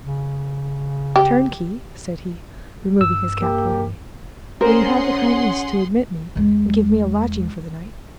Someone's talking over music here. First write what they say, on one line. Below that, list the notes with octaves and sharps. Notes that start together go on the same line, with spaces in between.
"Turnkey," said he, removing his cap politely, "will you have the kindness to admit me, and give me a lodging for the night?"
C#3
G4
G2 E6
A#3 G4
C#4 G#4 A#4 C5 F#5 C6
E2 G#3